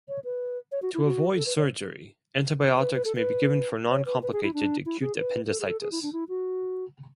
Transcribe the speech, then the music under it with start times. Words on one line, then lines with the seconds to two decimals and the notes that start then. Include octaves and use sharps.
To avoid surgery, antibiotics may be given for non-complicated acute appendicitis.
0.09 C#5
0.24 B4
0.72 C#5
0.82 F#4
0.94 E4
1.04 F#4
1.36 A4
1.46 B4
1.57 C#5
2.80 B4
2.95 B4
3.05 A4
3.16 B4
3.91 C#5
4.06 B4
4.23 B4
4.33 G#4
4.43 E4
4.54 D4
4.86 E4
5.01 G#4
5.18 B4
5.50 A4
5.60 G#4
5.66 A4
5.81 G#4
5.92 E4
6.02 D4
6.13 E4
6.29 F#4